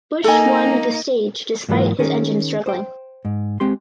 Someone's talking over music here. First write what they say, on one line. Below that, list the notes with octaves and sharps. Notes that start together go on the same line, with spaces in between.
Busch won the stage despite his engine struggling.
A#3 D#4 A4 G#5
G#2 E3 F#3 A#3 F4
D#3 C#4 G#4 A#4
C5 G5
G#2
G#3 C4 G4 C6